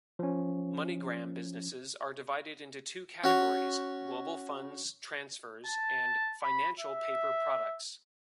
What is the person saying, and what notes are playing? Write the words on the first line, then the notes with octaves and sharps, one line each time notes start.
MoneyGram businesses are divided into two categories: Global Funds Transfers and Financial Paper Products.
F3 C#4
C#4 F#4 C#5
A5
B5
E5